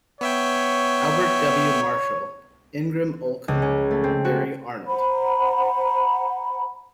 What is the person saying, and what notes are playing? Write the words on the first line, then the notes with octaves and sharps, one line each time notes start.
Albert W. Marshall, Ingram Olkin, Barry Arnold.
B3 C#5 E5 G5
C#2
C#4
A3
C4
F#4
C5 F#5 A#5 B5